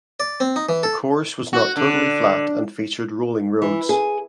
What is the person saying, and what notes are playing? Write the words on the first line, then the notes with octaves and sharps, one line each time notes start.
The course was not totally flat and featured rolling roads.
D5
C4
D#4
E3
A4
F#4
D3
E3
G#4